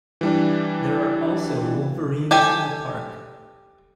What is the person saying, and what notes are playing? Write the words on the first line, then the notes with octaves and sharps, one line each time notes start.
There are also wolverines in the park.
E3 G3 D4
G4 A4 G5 G#5